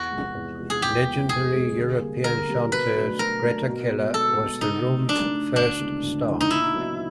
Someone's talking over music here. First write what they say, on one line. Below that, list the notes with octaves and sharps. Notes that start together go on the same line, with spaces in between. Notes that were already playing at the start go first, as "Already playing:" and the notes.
Legendary European chanteuse Greta Keller was the room's first star.
Already playing: E2 F#4
C3 F3 G#3
E2
C3 F3 G#3
G#4
E2 G4
C3 F3 G#3 B3
E2 G#4
C3 F3 G#3 B3
D3
G3 A#3
D3 A#4
G3 A#3
B2 B4
F#3 A3 D4
B2 A#4
F#3 A3 D4
B2
G#3 B3
B2 A4
G#3 B3
C#3 D#4
F#3 A3
C#3 D4
F#3 A3
D2 D4
C#3 E3 G#3 B3
D2
C#3 E3 G#3 B3
D#4
A#2 E4
F#3 B3 D#4